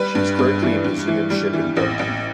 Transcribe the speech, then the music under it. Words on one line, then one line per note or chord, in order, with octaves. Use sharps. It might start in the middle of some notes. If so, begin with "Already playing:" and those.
She is currently a museum ship in Dundee.
Already playing: G3 B4
G2
G2
E3
G2
E3
G3
E3
A1
A1